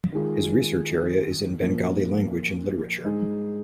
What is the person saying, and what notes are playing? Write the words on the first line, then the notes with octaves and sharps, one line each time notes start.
His research area is in Bengali language and literature.
D#3 G#3 F4 G#4
A#2 F3 A#3
G#2 G#3 D#4 G#4